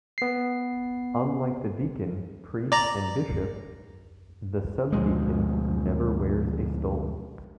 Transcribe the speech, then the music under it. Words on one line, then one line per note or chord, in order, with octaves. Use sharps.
Unlike the deacon, priest, and bishop, the subdeacon never wears a stole.
B3 C7
D5 A#5
D2 B2 F3 G#3